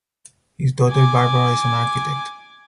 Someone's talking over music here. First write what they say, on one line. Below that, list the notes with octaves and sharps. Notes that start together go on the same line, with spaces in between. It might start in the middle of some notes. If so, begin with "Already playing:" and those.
His daughter Barbara is an architect.
G#5 D6